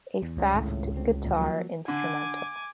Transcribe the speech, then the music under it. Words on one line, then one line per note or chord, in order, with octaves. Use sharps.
A fast guitar instrumental.
E2
C#2
G#1 A2
D2 C4
D#2 A#2
F3 F#3 A#3
D3 G#5 D6